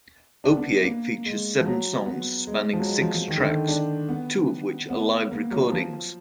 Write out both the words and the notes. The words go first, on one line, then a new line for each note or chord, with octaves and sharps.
"Opiate" features seven songs spanning six tracks, two of which are live recordings.
D4
B3
A#3
G#3
F3
F#3
B3
G#3
F3
F#3
G#3
F3
F3
D#3
D3
D#3
D4
B3
B3
A#3
F#3
F3